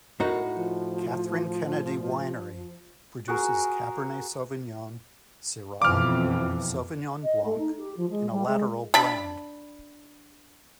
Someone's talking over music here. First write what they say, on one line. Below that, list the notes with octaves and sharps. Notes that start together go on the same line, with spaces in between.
Kathryn Kennedy Winery produces Cabernet Sauvignon, Syrah, Sauvignon blanc, and a Lateral blend.
A2 D#4 F#4 A#4
F3
F#4 G#4 A#4
F2 B2 E3 D6 F6
D#5
A3
D#4
G4
F3
G#3
G3
G#3
D4 B5